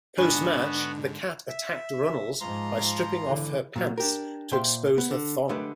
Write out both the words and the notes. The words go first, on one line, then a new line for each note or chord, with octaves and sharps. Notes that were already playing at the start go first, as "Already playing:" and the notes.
Post-match, The Kat attacked Runnels by stripping off her pants to expose her thong.
G#2 D3 B3 D4 F#4 G#5 B5 C#6
E5
G#2 F3 A#5 C6
D3 E3
A#2 F#3
D4 G4 A#4
A#2 C5 E5 G5 C6
B3
D3
D3 G#3 A3 G4 B4